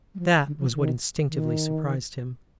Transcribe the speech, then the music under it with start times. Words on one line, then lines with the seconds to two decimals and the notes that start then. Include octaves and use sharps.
That was what instinctively surprised him.
0.15 G3
0.19 F3
0.47 D3
0.60 F3
0.74 D#3
1.28 D#3